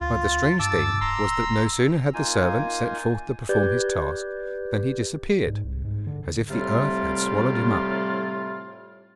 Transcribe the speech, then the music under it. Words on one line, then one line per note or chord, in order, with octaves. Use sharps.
But the strange thing was that no sooner had the servant set forth to perform his task than he disappeared, as if the earth had swallowed him up.
D2 F4
G2 A5 D6 E6
D1 A#5 C6 E6
A#3 D#4 F4 G#5
G4 B4 D5 G6 G#6
G#2
C2
G#2
D3
A2 C3 G3 A3 F4